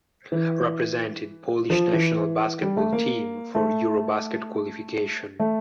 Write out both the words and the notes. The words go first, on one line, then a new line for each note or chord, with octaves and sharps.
Represented Polish national basketball team for Eurobasket qualification.
E3
F3
E3
G3
A3
A#3
A3
A3